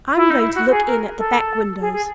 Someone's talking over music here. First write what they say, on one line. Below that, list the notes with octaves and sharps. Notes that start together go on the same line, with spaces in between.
I'm going to look in at the back windows.
E4
D#4
E4
F#4
G#4
A#4
A4
G#4
G#4